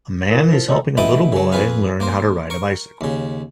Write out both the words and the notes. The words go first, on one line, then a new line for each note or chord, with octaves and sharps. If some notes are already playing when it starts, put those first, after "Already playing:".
A man is helping a little boy learn how to ride a bicycle.
E3 A#4
F3
D4 D#4 A4 C#5
A1 B3 E4 D#5 G5 A5
C#3 F#3
F2 G#4 B4 F5
A#3 A#4 C5
A#4 C#6
D#2 C#3